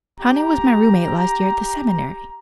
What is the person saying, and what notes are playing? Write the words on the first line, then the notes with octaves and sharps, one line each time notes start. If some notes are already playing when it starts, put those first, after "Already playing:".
Connie was my roommate last year at the Seminary.
G4 A#5